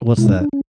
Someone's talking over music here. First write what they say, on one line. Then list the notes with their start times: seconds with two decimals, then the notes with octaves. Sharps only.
What's that?
0.17 B2 G#3 E4
0.29 D4
0.41 D4
0.53 C#4